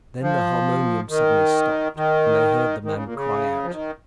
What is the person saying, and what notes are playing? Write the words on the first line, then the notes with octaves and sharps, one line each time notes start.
Then the harmonium suddenly stopped, and they heard the man cry out.
F3
D#3
D#3
D#3
C#3
A#2
C#3
F3
D#3